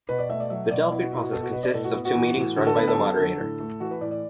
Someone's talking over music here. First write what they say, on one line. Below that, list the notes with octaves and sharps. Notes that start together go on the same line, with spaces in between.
The Delphi process consists of two meetings run by the moderator.
B2 B4
D5
A3 E5
D5
F#3 E5
B2 D5
B3 E4
F#4
B2 E4
F#4
B3 A4
F#4
B2 B4
D5
A2 A4
F#4
B3
F#4
E3
A2
D3 F#4
A4
B3 B4
A4
F#3
D3
A2
A3
E3 F#4
B4
A2 D5
D5